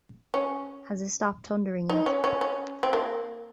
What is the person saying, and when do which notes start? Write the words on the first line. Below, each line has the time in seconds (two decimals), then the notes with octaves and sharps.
Has it stopped thundering yet?
0.34 C#4
1.89 D#4
2.06 C#4
2.24 C#4
2.41 C#4
2.83 C4
2.93 A#3